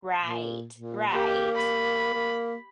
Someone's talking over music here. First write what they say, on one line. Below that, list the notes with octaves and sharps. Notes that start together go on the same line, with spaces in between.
Right, right.
A#2
A#2
A#3 G4
B5
A#3